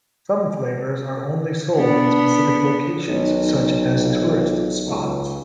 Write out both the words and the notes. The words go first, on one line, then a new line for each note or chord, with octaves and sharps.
Some flavors are only sold in specific locations, such as tourist spots.
B3 D4
B1 D#3 C#4 D#4
C3 F4
C#2